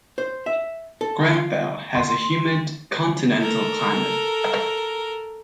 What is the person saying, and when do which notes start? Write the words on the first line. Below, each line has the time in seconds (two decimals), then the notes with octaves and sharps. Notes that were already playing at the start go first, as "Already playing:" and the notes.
Grenfell has a humid continental climate.
0.18 C5
0.46 E5
1.01 A4
1.33 F4
1.95 C6
3.40 A4 A#4